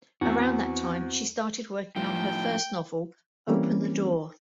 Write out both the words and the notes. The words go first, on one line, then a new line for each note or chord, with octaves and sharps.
Around that time she started working on her first novel Open the Door!
E2 C4 F#4
A2 F3 G5
E3 G3 A#3 C4 C#4